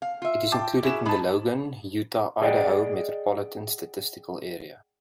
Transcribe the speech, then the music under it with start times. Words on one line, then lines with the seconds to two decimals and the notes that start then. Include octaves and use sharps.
It is included in the Logan, Utah-Idaho Metropolitan Statistical Area.
0.02 F5
0.22 F4 E5
0.52 G5 A5 D6
0.83 C#4 E4 F#4 G#4 E7
1.05 G#3 D#4 A5 B5
2.42 G#4 D5 D#5 F#5 G5